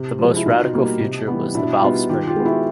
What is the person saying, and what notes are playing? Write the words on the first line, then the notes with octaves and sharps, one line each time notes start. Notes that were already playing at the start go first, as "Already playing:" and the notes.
The most radical feature was the valve springing.
Already playing: C3
F3 G#3
E4
B2 D#4 F4
G3 A#3
C3
E3 G3 B3
B2 D4 E4
G3 B3 D#4 F4
D#3 F4 G4
F4 G4
G#3 B3
E4 F#4